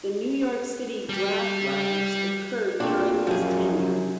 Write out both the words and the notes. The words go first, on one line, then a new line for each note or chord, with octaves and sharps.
The New York City draft riots occurred during his tenure.
G3 G4
A#2 A3 C4 D4
F#2 F3 G#4